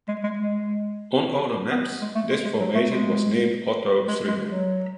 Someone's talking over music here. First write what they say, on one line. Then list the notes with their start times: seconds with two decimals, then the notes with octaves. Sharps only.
On older maps this formation was named Otto Struve.
0.08 G#3
0.24 G#3
0.37 G#3
1.71 B3
2.01 G#3
2.15 A3
2.30 G#3
2.45 G#3
2.60 F#3
2.75 A3
2.89 G#3
4.08 G#3
4.28 G#3
4.48 F#3